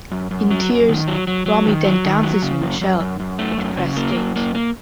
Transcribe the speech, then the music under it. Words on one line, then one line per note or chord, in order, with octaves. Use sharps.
In tears, Romy then dances with Michele in a depressed state.
F#2
F#2
F#3
F#2
D#3
F#3
F#3
F#3
D#3
F#3
D#3
F#3
C#3
F#2
F#2
F#2
F#2
A3
F#2
C#3
A#3
F#2
A#3
A#3